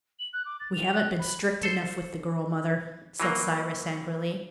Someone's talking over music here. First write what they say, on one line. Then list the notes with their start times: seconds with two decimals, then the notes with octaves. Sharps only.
"We haven't been strict enough with the girl, Mother," said Cyrus angrily.
0.19 F#7
0.33 F#6
0.45 D6
0.60 A6
0.73 F7
0.93 F#6
1.19 B5
1.63 A4 C5
3.20 E3 F#3 A#3